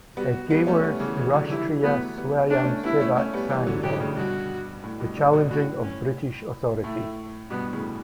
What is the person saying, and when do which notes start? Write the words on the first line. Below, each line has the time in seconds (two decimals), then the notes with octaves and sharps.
Hedgewar's Rashtriya Swayamsevak Sangh boys; the challenging of British authority.
0.17 G3 B3 F#4
0.50 G3 B3
0.67 A3 C#4
0.84 G3 B3
1.00 C#3 E3
1.16 C#3 E3
1.33 D3 F#3
1.50 E3 G3 E4
1.76 G3
1.83 F#3 A3 B3
2.17 G3 B3
2.50 C#4 D4
2.64 A3 C#4
2.83 G3 B3 E4
3.00 A3 C#4
3.16 A3 C#4
3.33 G3 B3
3.50 E3 G3
3.67 D3 F#3
3.83 B2 D3 G4
4.00 A2 C#3
4.16 G2 B2 F#4
4.84 A2
5.00 G2 B2
5.17 B2 D3
5.33 B2 D3
5.50 A2 F#4
5.83 C#4
6.84 A2 A3
7.50 G2 B2 B3
7.73 A2 C#3